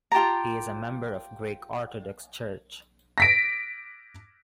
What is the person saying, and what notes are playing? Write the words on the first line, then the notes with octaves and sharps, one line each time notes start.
He is a member of the Greek Orthodox Church.
F4 G4 A5 A#5
A#6 B6 D7